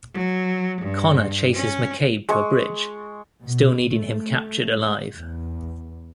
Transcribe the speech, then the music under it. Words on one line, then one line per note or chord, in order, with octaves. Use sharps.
Conner chases McCabe to a bridge, still needing him captured alive.
F#3
G2
C#4
G#3 C#6
B2
A3
E2